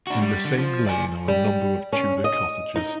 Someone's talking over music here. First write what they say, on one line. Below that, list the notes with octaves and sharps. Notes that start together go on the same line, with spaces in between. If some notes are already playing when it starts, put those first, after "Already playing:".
In the same lane are a number of Tudor cottages.
D4 F#4
G3
D3
F3
D5 G#5
G3
C#4
D#5
D#4